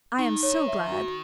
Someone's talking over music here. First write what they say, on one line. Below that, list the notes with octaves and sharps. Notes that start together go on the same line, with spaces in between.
I am so glad.
D#3 D#4
C#5
E5
F#4